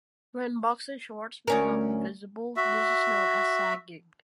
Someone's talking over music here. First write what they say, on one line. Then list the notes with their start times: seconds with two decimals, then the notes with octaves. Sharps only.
When boxer shorts become visible this is known as "sagging".
1.47 D2 C#4 A#4
2.56 F#4 E5